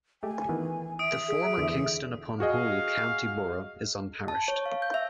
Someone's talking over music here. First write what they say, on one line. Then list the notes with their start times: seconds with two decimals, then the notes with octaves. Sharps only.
The former Kingston upon Hull County Borough is unparished.
0.23 G#3 A3 G4 G#5
0.49 D#3 E3 B3
0.99 E5 D#6 D7
1.28 G#4
1.57 E2 D3 E3
2.40 F#4 G#4 D#5 F5
4.28 A5
4.48 C#5
4.66 F5
4.82 G6
4.94 E5